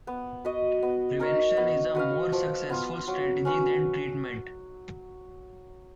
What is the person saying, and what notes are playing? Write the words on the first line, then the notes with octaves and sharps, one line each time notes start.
Prevention is a more successful strategy than treatment.
B3
F#4 B4 D#5
B3
D#4 A#4 C#5
B3
F#4 B4 F5
F3
B3 F4
F#3
C#4 F#4 B4